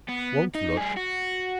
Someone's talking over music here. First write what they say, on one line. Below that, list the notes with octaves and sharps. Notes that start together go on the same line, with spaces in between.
Won't look.
B3
D#4
G3 G#4
F#4